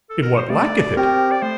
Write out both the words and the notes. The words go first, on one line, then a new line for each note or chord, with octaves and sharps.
"In what lacketh it?"
A4
A#4
C5
A3 D5
C4 G4 A#4 C5 G5
D5
A3 C5